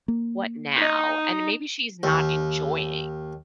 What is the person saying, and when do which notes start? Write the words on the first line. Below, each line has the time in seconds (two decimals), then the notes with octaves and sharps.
What now? And maybe she's not enjoying
0.08 A#3
0.78 D#4 D#5
2.03 D#2